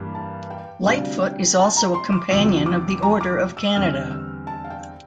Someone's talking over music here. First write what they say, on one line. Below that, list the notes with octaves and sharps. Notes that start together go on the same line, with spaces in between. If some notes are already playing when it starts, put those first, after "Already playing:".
Lightfoot is also a Companion of the Order of Canada.
Already playing: G2 E3 G3 A#3
A5
G5
D2 C3 G3 D4 F5
G5
A5
A#5
C6
D6
E1 D2 C3 F3 E6
D6
A#5
D6
E6
E2 D3 G3 C4 F6
E6
A5
F5
G5